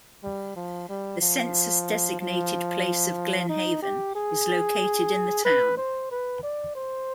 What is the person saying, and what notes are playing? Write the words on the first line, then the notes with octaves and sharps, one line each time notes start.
The census-designated place of Glen Haven is located in the town.
G3
F3
G3
F3
F3
D#4
G4
G#4
B4
C5
B4
D5
C5